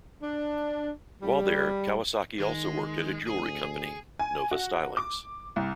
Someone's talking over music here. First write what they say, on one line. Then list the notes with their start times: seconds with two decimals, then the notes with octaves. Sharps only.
While there, Kawasaki also worked at a jewelry company, Nova Stylings.
0.22 D4
1.21 G3
2.40 D#3 G#3
3.27 D2 G#4
4.19 G#5
4.51 F#4
4.97 D6
5.56 C2